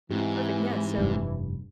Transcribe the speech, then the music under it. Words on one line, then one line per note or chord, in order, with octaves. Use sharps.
Perfect, yeah, so,
G#2 E3 C4 E4 G4
F1 G2